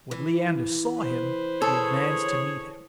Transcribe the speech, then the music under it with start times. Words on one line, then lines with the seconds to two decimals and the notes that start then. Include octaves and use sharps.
When Leander saw him, he advanced to meet him.
0.11 E3
0.96 B4 C5
1.62 G#4 A4 C#5